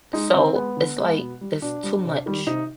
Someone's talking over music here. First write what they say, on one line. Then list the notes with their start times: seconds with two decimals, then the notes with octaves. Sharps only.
So it's, like, it's too much.
0.13 G#3 D#4
0.34 D3 C4
0.55 G#3 B3
0.77 D3
0.99 G#3
1.19 B2
1.41 G3
1.62 B2 D4
1.83 G3
2.05 C3
2.26 D#3 G3
2.47 C3 D#4